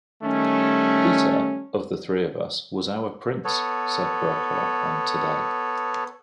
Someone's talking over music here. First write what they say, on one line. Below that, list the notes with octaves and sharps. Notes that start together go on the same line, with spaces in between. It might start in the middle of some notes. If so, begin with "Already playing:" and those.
"Peter, of the three of us, was our prince," said Brokaw on "Today".
D#3 G3 A3 C#4
B3 A4 C#5